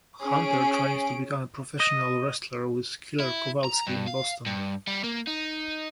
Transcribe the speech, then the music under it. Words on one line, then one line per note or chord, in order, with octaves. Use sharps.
Hunter trained to become a professional wrestler with Killer Kowalski in Boston.
C#4 G#4 D7
D#5
E4
A#5
G2
F5
G2
G3
A#3
D#4